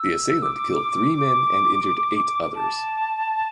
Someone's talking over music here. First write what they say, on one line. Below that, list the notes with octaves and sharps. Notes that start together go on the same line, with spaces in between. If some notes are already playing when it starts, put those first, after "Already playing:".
The assailant killed three men and injured eight others.
Already playing: E6
D6
A5